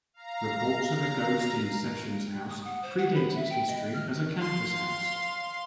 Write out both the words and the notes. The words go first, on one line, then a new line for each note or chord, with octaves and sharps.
Reports of a ghost in Sessions House predate its history as a campus house.
F5 A#5
D#6
F#5
C5
F#5
B5
E5
G5
D#5
F6
F5 C6